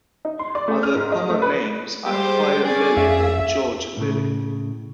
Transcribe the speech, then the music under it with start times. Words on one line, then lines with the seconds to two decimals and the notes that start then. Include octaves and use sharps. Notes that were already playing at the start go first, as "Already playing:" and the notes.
Other common names are fire lily or George lily.
0.25 D#4
0.39 C6
0.55 D5
0.68 A3
0.83 F6
0.95 G#2
1.12 D#5
1.30 A3
1.42 B4
2.06 G3 G#3 G4 C5
2.65 C#4 G#4 D5
2.97 F2 E5 F5
3.97 A2 C#3